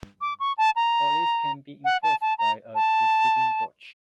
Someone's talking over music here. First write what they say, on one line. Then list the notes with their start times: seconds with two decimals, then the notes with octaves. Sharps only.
All these can be enforced by a preceding "doch".
0.21 D6
0.40 C#6
0.58 A5
0.76 A#5
1.85 F#5
2.03 A5
2.21 A5
2.38 A#5
2.75 A5